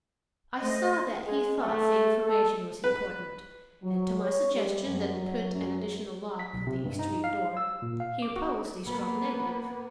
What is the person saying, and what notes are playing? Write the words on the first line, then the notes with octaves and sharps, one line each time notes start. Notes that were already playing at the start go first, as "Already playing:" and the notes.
I saw that he thought the information was important, and to my suggestion that we put an additional lock on the east wing door he opposed a strong negative.
A3 C5 D#5
G#3
A3
A4
B4
F#3
C#5
G3
F#2
F#3
F#2
B6
B1
C3
G2
D#4
F5
E6
A#2
F5
D6
F#4
A#3 B3